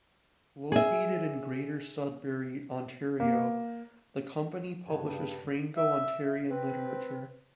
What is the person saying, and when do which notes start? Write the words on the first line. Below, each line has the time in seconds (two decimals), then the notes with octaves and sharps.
Located in Greater Sudbury, Ontario, the company publishes Franco-Ontarian literature.
0.72 G#4 E5
3.20 A#3
4.87 G2 C#3
5.77 E5
6.50 C4 B4